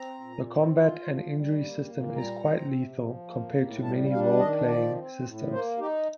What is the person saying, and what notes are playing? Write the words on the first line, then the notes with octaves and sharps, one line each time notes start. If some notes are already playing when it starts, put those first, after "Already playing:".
The combat and injury system is quite lethal, compared to many roleplaying systems.
Already playing: C4 A#5
A#2
C4
F4
F3
G3
A#3
A#2
G3 A#5
C4
C3
F3
A#3
A2
G3 A5
D4 F5
D#3 D#5
F3 D5
C4
A2
A#3 C5
D#4 G4